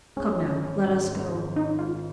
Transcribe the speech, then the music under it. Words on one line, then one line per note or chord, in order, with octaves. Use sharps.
"Come now, let us go."
G#3 C#4
G#1
C#4
G#2
G#3
G#1
C#4 D#4
G#2 F4